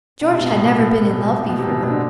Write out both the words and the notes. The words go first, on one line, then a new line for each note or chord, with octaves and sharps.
George had never been in love before.
B2
C3
B2
A2
B2
A2
C3
B2
A2
B2
C3
B2
B2
D3